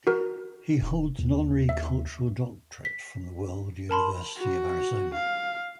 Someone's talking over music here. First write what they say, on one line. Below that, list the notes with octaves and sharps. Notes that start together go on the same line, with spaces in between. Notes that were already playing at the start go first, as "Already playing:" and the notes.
He holds an honorary Cultural Doctorate from The World University of Arizona.
F#4 A#4
D#1
D#2
E5
B6
A#4 A5 B5 C6
F#4
F5